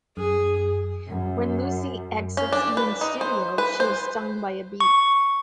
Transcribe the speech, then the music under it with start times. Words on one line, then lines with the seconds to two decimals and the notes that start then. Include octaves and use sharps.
When Lucy exits Ian's studio, she is stung by a bee.
0.17 F#2 G#4
1.09 F#2
2.37 C#4
2.53 D4
2.77 B4
3.01 D#4
3.21 C5
3.58 B4
3.80 C5
4.80 C#6